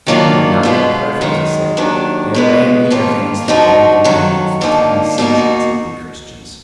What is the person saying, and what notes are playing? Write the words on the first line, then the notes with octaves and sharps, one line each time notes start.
Men were not yet perfect, he said; there ran in their veins the blood of men who for twenty centuries had been Christians....
D#3 F#3 A#3 D4 F4
B2 G#3 B3 F4
F#2 D#3 G#3
D#2 D#3 F#3 D4
B2 G#3 B3
F2 D#3 A#3 F4
D3 F3 G#3 D#4 F#4
F2 D#3 F#3
D2 D3 F3 A#3 D#4
B2 A#3 D#4 F#4